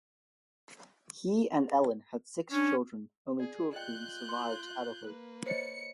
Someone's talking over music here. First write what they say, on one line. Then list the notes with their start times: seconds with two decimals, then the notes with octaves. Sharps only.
He and Ellen had six children, only two of whom survived to adulthood.
2.52 C#4 D4
3.40 G#4 D5
3.73 F4 D5 D#5 G5 F#6 G6
4.29 C6
5.07 A#3 B4
5.46 C5 C#5 D#5 C#7